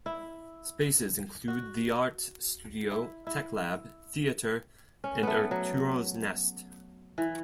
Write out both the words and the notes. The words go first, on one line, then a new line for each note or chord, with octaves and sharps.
Spaces include the Art Studio, Tech Lab, Theater, and Arturo's Nest.
E4
F#4
E4
E4
C#4
A3 B3
F#3
E3